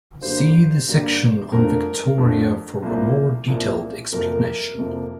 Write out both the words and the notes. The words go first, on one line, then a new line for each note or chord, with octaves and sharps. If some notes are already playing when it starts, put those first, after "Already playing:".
See the section on Victoria for a more detailed explanation.
G2 D3 G3 A#3 C5
G2 D3 G3 A#3
F2 D3 F3 A3 A#4
F2 D3 F3 A3
C2 A#2 F3 A#3
C2 A#2 F3 A#3
F2 C3 F3 A#3 A#4
F2 C3 F3 A#3